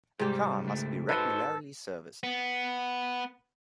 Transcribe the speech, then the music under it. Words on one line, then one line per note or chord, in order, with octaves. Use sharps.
A car must be regularly serviced.
C2 G#2 G3 G4
C#2 A3
D#4 F#4 A4 B4 C5
B3